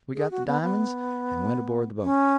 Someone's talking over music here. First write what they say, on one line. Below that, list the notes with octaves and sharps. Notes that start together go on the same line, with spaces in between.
We got the di'monds and went aboard the boat.
G#4
F#4
B3
B3
C#4